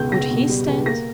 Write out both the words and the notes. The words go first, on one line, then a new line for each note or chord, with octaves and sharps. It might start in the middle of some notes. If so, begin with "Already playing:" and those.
Could he stand?
Already playing: C#2 B2 G6
C#2 A#6
B2
G3
C#2
A#3 A#6